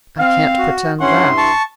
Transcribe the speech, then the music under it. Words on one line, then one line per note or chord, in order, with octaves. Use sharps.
"I can't pretend that."
C4 F5
F#4
G2 C#4 E4 F#5 C6
A5 C#6